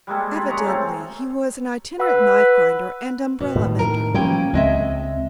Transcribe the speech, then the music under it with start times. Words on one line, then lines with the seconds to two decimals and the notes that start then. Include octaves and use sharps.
Evidently he was an itinerant knife-grinder and umbrella-mender.
0.07 G3 G#3 A#3 A4
0.32 F4 G#5 B5
0.49 F#2 G#3 A#5 C#6
0.66 A3 C4 F4
2.00 B4 F#5 E6
3.40 B2
3.56 A2 D#3
3.79 A#4
4.14 E3 F3 G3 A#3 C#4 G5
4.54 C#2 G#3 C4 D#5 E5